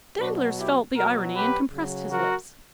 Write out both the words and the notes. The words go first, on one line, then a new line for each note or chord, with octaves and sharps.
Danglars felt the irony and compressed his lips.
B2 F#3 D4 F#4
E4 G4
B2 F#3 F#4 A#4
G4 B4
C#3 F#3
F#4 A#4